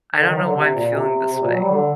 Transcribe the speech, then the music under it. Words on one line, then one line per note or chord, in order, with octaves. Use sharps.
"I don't know why I'm feeling this way,
D3
D#3
F#3
D3
C3
A#2
C3
C3
A#2
F#3
G3
D3